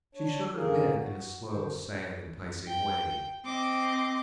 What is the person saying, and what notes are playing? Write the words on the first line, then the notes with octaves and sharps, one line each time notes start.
She shook her head in a slow, sad, enticing way.
D4 C#5
F#2 D3 A#3 G#4 A#4
F#4
D3 D#3 C5
G5
C4 D#5 D6